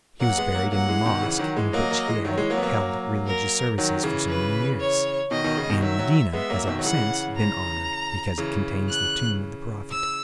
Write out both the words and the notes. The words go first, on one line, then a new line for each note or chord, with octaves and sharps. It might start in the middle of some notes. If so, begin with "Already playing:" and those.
He was buried in the mosque in which he had held religious services for so many years; and Medina has ever since been honored, because it contains the tomb of the Prophet.
F#3 A#3 F#5
G#3 B3
F#3 A#3
F#3 A#3 F#5
E3 G#3
B2 D#3
C#3 E3
D#3 F#3
E3 G#3
F#3 A#3 D#5
F#3 A#3
E3 G#3
D#3 F#3 C#5
E3 G#3
F#3 A#3
B3
F#3 A#3
A#4
D#3 F#3
C#3 E3
B4
C#5
B2 D#3 D#5
B2 D#3
C#3
B2 D#3
D#3 F#3 E5
D#3 F#3
G#3 B3 E5
F#3 A#3
B2 D#3
F#3
C#3 E3 F#5
A#5
C#3 E3
F#6
E6